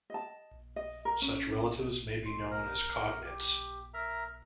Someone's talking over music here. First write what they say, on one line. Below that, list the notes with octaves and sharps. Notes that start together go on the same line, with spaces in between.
Such relatives may be known as cognates.
D#5 A5
D#5
A#4
C#4
C6
A#4
G4
A#4 E5 A#5